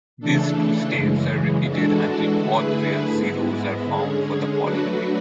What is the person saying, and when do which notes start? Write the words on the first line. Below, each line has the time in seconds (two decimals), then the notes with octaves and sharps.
These two steps are repeated until all real zeros are found for the polynomial.
0.20 C#3 E3 A3 D4 A4
0.94 F#2 C#3 E3 G#3
1.67 E3 G#3 D4 F#4 A4
2.38 D3 A3 E4 G#4 B4
3.12 G#2 G#3 B3 E4
3.85 D3 G#3 C#4 G#4
4.58 F#3 A3 D4 F#4 B4